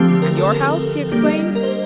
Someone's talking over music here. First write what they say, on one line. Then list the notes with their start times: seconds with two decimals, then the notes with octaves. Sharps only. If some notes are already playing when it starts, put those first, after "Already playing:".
"And your house?" he exclaimed.
Already playing: D3 F3 A3 C4 G4
0.22 A#4
0.38 A4
0.52 A#4
1.11 G3 A#3 D4 G4
1.27 D#5
1.55 A#4
1.63 C5